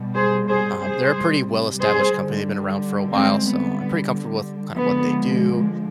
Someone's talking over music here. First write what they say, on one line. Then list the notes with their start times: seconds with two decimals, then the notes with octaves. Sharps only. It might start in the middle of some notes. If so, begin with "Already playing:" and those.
Um, they're a pretty well established company, they've been around for a while, so, I'm pretty comfortable with kinda what they do,
Already playing: B2 G3
0.15 G#4 C5
0.49 G#4 C5
0.81 C3 G3 G#4 C5
1.81 G#4 C5
2.14 D3 G3
3.12 G#3 C4
3.45 D3 G3 B3
4.76 D3 F3 G#3 B3